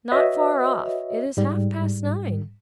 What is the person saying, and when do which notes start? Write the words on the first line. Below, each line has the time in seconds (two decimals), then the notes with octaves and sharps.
'Not far off--it is half-past nine.
0.12 F#4 B4 C#5 D#5 E5
1.37 G#2 G3